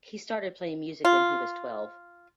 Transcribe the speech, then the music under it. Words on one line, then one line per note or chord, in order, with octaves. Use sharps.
He started playing music when he was twelve.
F4